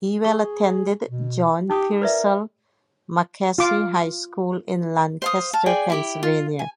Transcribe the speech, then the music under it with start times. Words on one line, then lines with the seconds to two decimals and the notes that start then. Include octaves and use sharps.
Ewell attended John Piersol McCaskey High School in Lancaster, Pennsylvania.
0.24 G#4 C#6
1.08 B2
1.70 D#4 G4 D6 D#6
2.02 A#4 B4 D5 E5
3.58 F4 D6
5.22 C5 F5 D#6
5.53 F5 A5
5.66 G#4 D5 G5 G#5
5.90 E4 G4 B5
6.23 F4
6.59 G#5